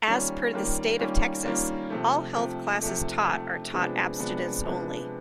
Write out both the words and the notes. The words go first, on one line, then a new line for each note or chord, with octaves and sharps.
As per the state of Texas, all health classes taught are taught abstinence only.
D#3 G3 A#3 C#4 F4
D#3 G3 A#3 C#4 F4
D#3 G3 A#3 C#4 F4
D#3 G3 A#3 C#4 F4
C3 F3 A3
C3 F3 A3
C3 F3 A3
C3 F3 A3
C3 F3 G#3 B3 D4
C3 F3 G#3 B3 D4
C3 F3 G#3 B3 D4